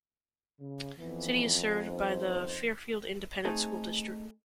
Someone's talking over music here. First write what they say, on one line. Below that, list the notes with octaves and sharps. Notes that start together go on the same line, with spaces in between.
The city is served by the Fairfield Independent School District.
C#3
F2 E3 B3
B3 D#4 C5
A3 C4 D#4 G#4 A4